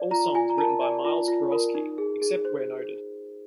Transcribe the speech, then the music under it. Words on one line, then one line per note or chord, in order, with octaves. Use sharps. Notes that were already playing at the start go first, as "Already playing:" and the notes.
All songs written by Miles Kurosky, except where noted.
Already playing: D5
F4 A#5
F4 G#5
A#5
A#4 A5
D5 G#5
F4
F4
A#4
D#4
G#4
G#4
C5